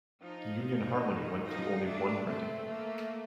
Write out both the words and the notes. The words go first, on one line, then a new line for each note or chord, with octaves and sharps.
Union Harmony went through only one printing.
F3 D#4
F3
D#3
F3 D#4
A3 D4
A3 C4
A#3